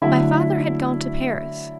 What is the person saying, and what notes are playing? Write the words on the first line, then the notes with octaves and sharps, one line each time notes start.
My father had gone to Paris.
D3 F#3 A3 E4 E5